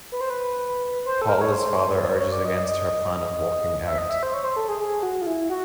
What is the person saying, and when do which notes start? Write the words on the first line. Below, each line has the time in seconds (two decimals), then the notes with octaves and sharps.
Paula's father urges against her plan of walking out.
0.12 B4
0.21 C5
0.30 B4
1.06 C5
1.22 A4
1.29 A#4
1.42 C#5
1.52 C5
1.91 B4
2.05 C5
2.19 C#5
2.32 D5
2.45 D#5
2.63 D5
2.69 D#5
3.87 E5
3.98 D#5
4.10 E5
4.23 C5
4.34 C#5
4.44 C5
4.56 A4
4.68 G#4
4.80 G#4
5.03 F#4
5.22 F4
5.27 E4
5.49 F#4